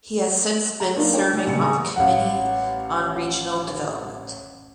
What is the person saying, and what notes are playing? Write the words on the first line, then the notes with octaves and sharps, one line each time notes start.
He has since been serving on the Committee on Regional Development.
A#5
A#3 D4 D#4 F4
D4 C#5 G5
G#3 D4
A1 A#2 C#3 G3 C#7
G#4 G#5 A#5 C#6 D#6
A1 F5 F#5